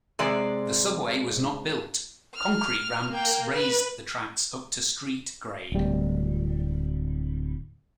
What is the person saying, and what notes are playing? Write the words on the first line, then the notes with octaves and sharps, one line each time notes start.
The subway was not built, concrete ramps raised the tracks up to street grade.
C3 G#3 D5
F6
A#3 G5
B4
D1 G3